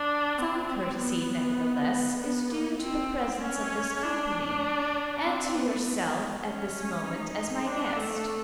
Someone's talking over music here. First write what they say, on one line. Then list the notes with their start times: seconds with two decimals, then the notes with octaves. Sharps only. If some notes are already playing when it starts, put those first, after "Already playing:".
Some courtesy, nevertheless, is due to the presence of this company, and to yourself, at this moment, as my guest.
Already playing: D4
0.39 C4
1.00 B3
2.21 B3
2.51 A#3
2.81 C4
3.42 C#4
4.03 D4
5.23 C4
5.54 B3
6.45 C#4
7.06 D#4
7.66 D4
7.97 A3